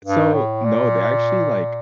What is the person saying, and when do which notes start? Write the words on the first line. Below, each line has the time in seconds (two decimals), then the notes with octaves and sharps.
so No, they actually, like
0.05 G2
0.34 A2
0.65 A#2